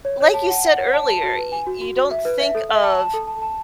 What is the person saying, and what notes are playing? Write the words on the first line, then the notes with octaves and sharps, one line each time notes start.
like you said earlier, y you don't think of
C#5
C#5
A5
F#5
F#5
C#5
A5
A5
F#4
B4
G#5
F#4
F#4
F#4
E5
B4
E5
A4
E5
A5
A5
A4
A5
A5